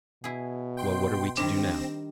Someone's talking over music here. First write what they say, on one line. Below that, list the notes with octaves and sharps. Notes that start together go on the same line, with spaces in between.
Well, what are we to do now?
B2 E4 G#4
G5 C6
D#3 G3 C4 D4 A#6 E7